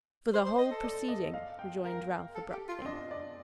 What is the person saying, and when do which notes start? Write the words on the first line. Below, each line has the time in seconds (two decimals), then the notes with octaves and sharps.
'For the whole proceeding,' rejoined Ralph, abruptly.
0.34 C5
0.46 C5
0.58 D#5
0.71 A4
0.84 D5
1.08 D#5
1.34 F5
1.59 G5
1.84 A#4 F5
2.35 A4
2.52 G4
2.68 F4
2.81 C4
2.86 D4 D#5
3.11 D5